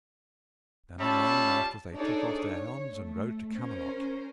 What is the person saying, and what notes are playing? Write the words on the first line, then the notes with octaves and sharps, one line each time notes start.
And then anon after they took off their helms and rode to Camelot.
G3 C#4 F4 E5 A5 B5
D4 D#4 G#4 A4 C#5 D5
C#5
A3
C#4 A#4 C5